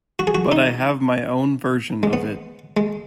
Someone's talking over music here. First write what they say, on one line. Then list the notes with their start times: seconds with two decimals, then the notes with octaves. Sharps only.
But I have my own version of it.
0.19 F#4
0.27 G#4
0.35 F#4
0.52 D#4
2.03 G#3
2.13 B3
2.77 G#3